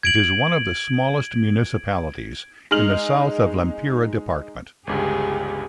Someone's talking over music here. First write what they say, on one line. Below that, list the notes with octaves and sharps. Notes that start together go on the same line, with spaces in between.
It is one of the smallest municipalities in the south of Lempira department.
G#6 D7 F#7
G#3 D#4 F6 F#7
G1 C#2 G2 G4 G#4